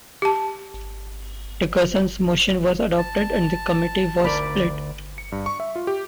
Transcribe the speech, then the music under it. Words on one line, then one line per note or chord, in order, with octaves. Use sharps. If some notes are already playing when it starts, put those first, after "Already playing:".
Dickerson's motion was adopted and the committee was split.
G4 A5
A5
D2 A#4 D5 B5
C#7
G2
C#6
E5
F4
G4